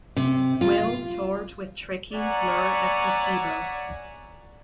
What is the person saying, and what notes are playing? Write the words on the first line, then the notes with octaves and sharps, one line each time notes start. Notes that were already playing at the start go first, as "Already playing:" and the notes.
Whale toured with Tricky, Blur and Placebo.
C3
F4
C#5 D5 E5 F#5 G#5 A#5